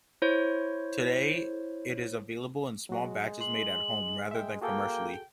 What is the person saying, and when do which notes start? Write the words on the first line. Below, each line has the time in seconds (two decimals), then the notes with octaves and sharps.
Today, it is available in small batches made at home rather than commercially.
0.22 E4 C5 C#5
2.89 F#3 G#3 F#4
3.41 C6 F#7
4.31 E5 G5
4.61 A#3 F#4 G#4 A4 G5